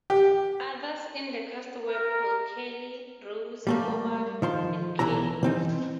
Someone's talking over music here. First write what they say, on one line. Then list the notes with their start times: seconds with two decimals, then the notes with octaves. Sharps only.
Others in the cast were Paul Kelly, Rose Hobart and Keye Luke.
0.10 G4
1.88 A#4
3.67 G3 A3 A#3
4.42 D#3 F3 C6
4.99 B1 E3 E4 A#5
5.43 E3 C4 D#4